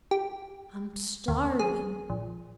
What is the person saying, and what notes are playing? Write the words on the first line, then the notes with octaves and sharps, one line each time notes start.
"I'm starving!"
G4
D#2
G#4
A#1